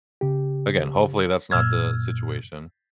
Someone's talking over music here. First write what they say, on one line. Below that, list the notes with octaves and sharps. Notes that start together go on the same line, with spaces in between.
again, hopefully, that's not the situation.
C#3 G4
F#2 A#2 E6 F6 G#6